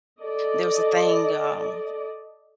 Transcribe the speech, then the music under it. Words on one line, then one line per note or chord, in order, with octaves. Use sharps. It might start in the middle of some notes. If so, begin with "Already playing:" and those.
there was a thing, um,
A4 D5 D#5